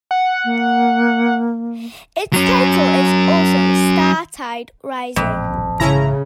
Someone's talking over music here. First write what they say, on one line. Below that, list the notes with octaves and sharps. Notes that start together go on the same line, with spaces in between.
Its title is also "Startide Rising".
F#5
A#3
F#3 C#4
A1 F2 A#2 G#3
A#1 G#2 C#3 E3 C#4 E4 A#5